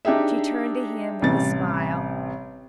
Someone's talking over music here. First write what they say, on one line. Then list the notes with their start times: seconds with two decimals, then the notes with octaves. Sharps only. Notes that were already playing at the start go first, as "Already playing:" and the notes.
She turned to him with a smile.
0.05 D4 D#4 G4 G#4 E5
1.22 A1 C3 G3 A6